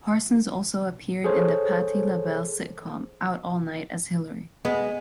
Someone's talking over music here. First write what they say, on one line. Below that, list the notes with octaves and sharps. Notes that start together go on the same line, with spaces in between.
Parsons also appeared in the Patti LaBelle sitcom, "Out All Night" as Hilary.
G#4 A4 C5 C#5
G#3 B3 D#5